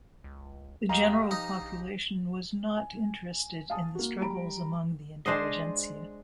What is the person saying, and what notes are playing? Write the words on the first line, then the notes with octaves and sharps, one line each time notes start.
The general population was not interested in the struggles among the intelligentsia.
C#2
D#2 G4 D#5 F5 A#5
F3 D#4
A#1
G#5
F5 G#5 A5 D#6
A#3 F#4
G3 A#5 B5 D7
G#3 D4 C5 D#5